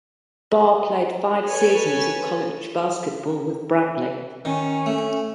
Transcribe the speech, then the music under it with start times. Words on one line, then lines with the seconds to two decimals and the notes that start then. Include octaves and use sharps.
Bar played five seasons of college basketball with Bradley.
1.45 A4 B4 C#5 G#5
4.45 D#3 C#4
4.86 A3